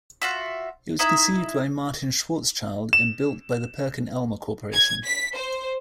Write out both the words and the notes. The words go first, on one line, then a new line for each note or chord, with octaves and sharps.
It was conceived by Martin Schwarzschild and built by the Perkin Elmer Corporation.
F4 F#4 E5
D#4 E4 E5
E7
G#6
B6
C5